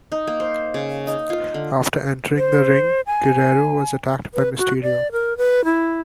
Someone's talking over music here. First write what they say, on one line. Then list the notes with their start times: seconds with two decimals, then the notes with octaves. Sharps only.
After entering the ring, Guerrero was attacked by Mysterio.
0.12 D#4
0.27 A#3
0.40 C5
0.74 C#3
1.07 D#4
1.30 F4
1.54 D3
2.37 C5
3.07 G#5
4.34 B4
4.59 F#4
4.82 D5
5.12 A#4
5.37 B4
5.65 E4